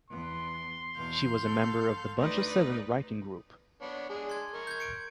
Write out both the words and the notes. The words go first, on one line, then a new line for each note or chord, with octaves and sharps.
She was a member of the Bunch of Seven writing group.
E2 B3 C6
E2 B2 F5 G6
A4
D2 D#4 B4 D5
B3 D4 C#5
G#3 D4 G#4
C6 G#6
A#4 C#6
G6 G#6
C#7 D7